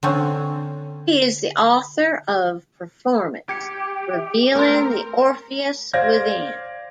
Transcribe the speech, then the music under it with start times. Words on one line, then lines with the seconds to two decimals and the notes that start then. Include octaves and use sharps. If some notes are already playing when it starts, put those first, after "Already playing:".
He is the author of "Performance: revealing the Orpheus within".
0.03 D3 C4 C#4
3.49 G4 G#6 C#7
4.14 E5
4.56 A3 C4 A#4 C6
5.93 C5 D5 F5 G#6 A#6